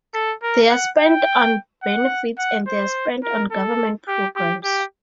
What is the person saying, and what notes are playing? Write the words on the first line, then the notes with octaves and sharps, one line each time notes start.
They're spent on benefits and they're spent on government programs.
A4
A#4
F#5
G5
F#5
F#5
C5
A#4
A4
G4
G4
G4